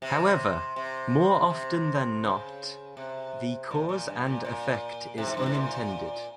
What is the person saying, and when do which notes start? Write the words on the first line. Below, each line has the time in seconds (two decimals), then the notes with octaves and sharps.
However, more often than not, the cause and effect is unintended.
0.02 C3
0.76 C3
1.50 C3
2.24 C#3
2.97 C3
3.71 A#2
3.89 A#2
4.08 G2
4.26 A#2
4.45 A#2
5.18 C3
5.27 G#2
5.37 G2
5.46 G#2
5.55 A#2